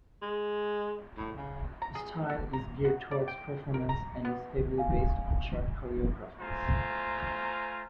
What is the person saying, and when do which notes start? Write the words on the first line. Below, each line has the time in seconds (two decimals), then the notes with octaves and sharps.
The style is geared towards performance and is heavily based on short choreographies.
0.22 G#3
1.17 A2
1.37 C#3
1.82 A#5
1.95 G#4
2.30 A4
2.53 A#5
2.85 F#4
3.11 D5
3.28 G5
3.74 A#4
3.89 A#5
4.25 B3
4.78 F5 G#5
6.41 A3 F4 C5 G#5 A#5